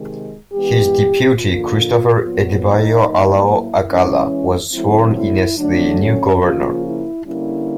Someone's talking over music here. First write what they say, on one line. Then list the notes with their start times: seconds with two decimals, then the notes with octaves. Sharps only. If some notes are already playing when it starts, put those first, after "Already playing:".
His deputy, Christopher Adebayo Alao-Akala, was sworn in as the new governor.
Already playing: C3 D#3 G#3
0.52 E3 G#3 B3 G4
1.36 D3 F3 A#3 F4
2.20 A#2 F#3 B3
2.62 D#4
3.05 A2 F#3 A#3
3.47 E4
3.88 E3 G#3 C#4
4.72 D3 F#3 A3 C4 E4
5.15 E4
5.57 D3 F#3 A3 D4
5.99 C#4
6.41 C#3 F3 A#3 C#4 F4
6.83 E4
7.25 D3 G3 A#3 C#4 E4